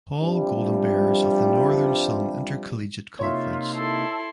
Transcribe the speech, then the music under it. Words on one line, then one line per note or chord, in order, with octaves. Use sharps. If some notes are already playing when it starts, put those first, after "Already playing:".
Paul Golden Bears of the Northern Sun Intercollegiate Conference.
G2 C3 F3 G3
C3 A#3 D#4 F4 C#5 E5 C6
E4 A4 A5 C6 E6